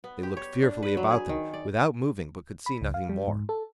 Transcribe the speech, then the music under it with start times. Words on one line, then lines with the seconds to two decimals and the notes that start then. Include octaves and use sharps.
They looked fearfully about them, without moving, but could see nothing more.
0.04 B3
0.23 G4
0.37 C#5
0.63 D4
0.83 B4
0.97 F#3
1.10 G#4
1.29 D#3
1.54 D5
2.66 B5
2.82 C#2
2.94 F5
3.09 G3
3.28 G#2
3.49 A4